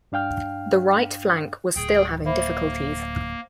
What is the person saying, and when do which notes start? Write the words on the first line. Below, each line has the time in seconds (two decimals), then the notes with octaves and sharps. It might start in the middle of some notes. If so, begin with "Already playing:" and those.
The right flank was still having difficulties.
0.12 G2 D4 F5 G5 F6
1.75 D1 G#4 G5
2.25 A#3 C5 E5 B5